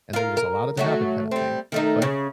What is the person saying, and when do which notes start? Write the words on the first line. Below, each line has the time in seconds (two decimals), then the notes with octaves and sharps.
and they were just allowed it to happen kinda thing, but
0.13 F4 A#4
0.37 A#4
0.77 F#3 A3 F#4
1.31 G3 C4
1.72 D#3 A3 D#4
2.02 C#3